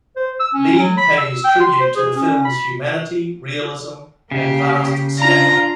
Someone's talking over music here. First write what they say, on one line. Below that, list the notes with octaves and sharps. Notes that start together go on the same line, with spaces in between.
Leigh pays tribute to the film's humanity, realism, and vast scale.
C5
E6
C#4
F#3
B5
E6
G5
C6
C5
G#4
C#4
B5
C#3 A#3 G4
D4 F4 A#5